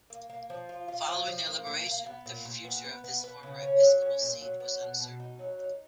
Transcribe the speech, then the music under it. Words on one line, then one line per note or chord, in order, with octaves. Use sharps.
Following their liberation, the future of this former episcopal seat was uncertain.
A#3
A#3
F3
F4
F4
F3
F3
A#3
A#3
A#3
B3
A#2
A#2
B3
B3
B3
B3
C#3
C#4
F#3
C#4
A#2
F#3
B3
B2
B2
D#4
F#3
D#4